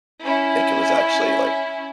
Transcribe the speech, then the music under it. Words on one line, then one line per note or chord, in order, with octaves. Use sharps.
I think it was actually, like
C#4 E4